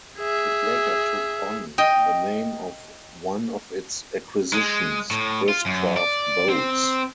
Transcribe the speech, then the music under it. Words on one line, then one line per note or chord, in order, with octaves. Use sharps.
It later took on the name of one of its acquisitions, Chris-Craft Boats.
G#4 E5
D#5 G5
G#3
A2
F4
F#2
D5
C4